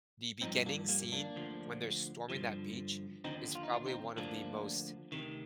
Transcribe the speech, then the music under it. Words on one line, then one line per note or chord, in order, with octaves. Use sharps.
the beginning scene when they're storming that beach is probably one of the most,
G2 F3 C4 D#4
A#3 D4
G3 A#3
A#3 D4
D2 D3 F3
G2 D3 F3
D#2 D3 F3 C4 D#4
F4
D#4
D4 F4
C4 D#4
D2 D3 F3 A#3 D4
D2 C3 D#3